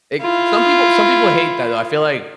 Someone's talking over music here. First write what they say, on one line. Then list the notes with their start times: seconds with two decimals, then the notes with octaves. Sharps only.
eh some people some people hate that, though, I feel like
0.21 E4 F4